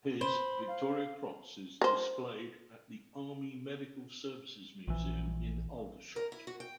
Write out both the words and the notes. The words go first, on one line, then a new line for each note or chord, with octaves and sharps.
His Victoria Cross is displayed at the Army Medical Services Museum in Aldershot.
C5 B5
F5
A#4 C5
A#1 E3
A#4
E4
F#4
G5